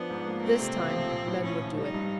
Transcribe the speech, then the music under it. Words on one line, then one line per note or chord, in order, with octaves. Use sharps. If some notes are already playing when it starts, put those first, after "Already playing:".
This time, men would do it.
Already playing: F3 B3 D4
G#2
A#3
A3 C4
C3
C#2
F3
A#1
A2
A#1 C#4
F3
G3 D#4
G2